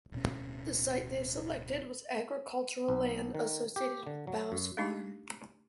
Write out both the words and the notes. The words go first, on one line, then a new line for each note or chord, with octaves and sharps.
The site they selected was agricultural land associated with Bowes Farm.
D1 B2 C#4
B1
D#3
G4
D3
F#3
F#2
A3 D4 D#4 G4